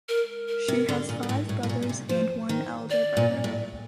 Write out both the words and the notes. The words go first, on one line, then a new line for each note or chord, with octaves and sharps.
She has five brothers and one elder brother.
A#4
A#4
C3
D3
A#2
A#2
A2
A2
A2
A#2
A#2
C3
F3 C5
D#3
D5
A#2
A2